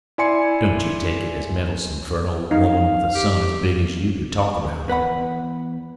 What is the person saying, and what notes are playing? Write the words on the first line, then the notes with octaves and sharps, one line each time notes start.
Don't you take it as meddlesome fer an old woman with a son as big as you to talk about it.
E4 D5 G#5 C6 C#7
D#4 F5
G4
E2 B4 F#5 B5